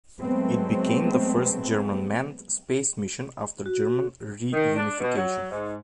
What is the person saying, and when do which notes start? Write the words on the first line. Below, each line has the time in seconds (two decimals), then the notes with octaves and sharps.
It became the first German manned space mission after German reunification.
0.19 F#3 G#3 A3 B3 C4
3.66 F#4
4.53 D#3
4.76 D4
5.00 B2
5.16 F#3
5.50 G#2